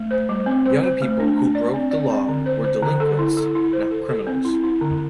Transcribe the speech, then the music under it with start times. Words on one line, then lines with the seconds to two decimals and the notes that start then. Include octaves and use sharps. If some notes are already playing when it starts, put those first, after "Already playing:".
Young people who broke the law were "delinquents," not criminals.
Already playing: A3
0.11 C5
0.29 G3
0.46 C4
0.66 C5
0.84 C5
1.02 A3
1.20 D4
1.38 D4
1.55 D5
1.74 C4
1.91 D5
2.10 C4
2.28 D3
2.46 C5
2.64 C5
2.83 D3
3.00 A4
3.19 E4
3.37 A4
3.55 E4
3.73 C5
3.91 A4
4.09 A4
4.27 C4
4.45 E4
4.64 E4
4.81 D3